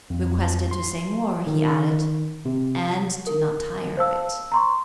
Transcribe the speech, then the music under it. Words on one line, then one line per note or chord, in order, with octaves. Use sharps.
Requested to say more, he added, "And do not tire of it."
F2
C6
D#3
C3
A#4
C5 F5 A5 E6
A#5 C6 C#6